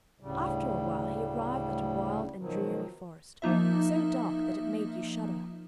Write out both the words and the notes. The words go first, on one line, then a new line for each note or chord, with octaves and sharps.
After a while he arrived at a wild and dreary forest, so dark that it made you shudder.
D2 A2 C#3 G3
B2 D#3 F3 F#3
F3 A#3 D#4 F4 E5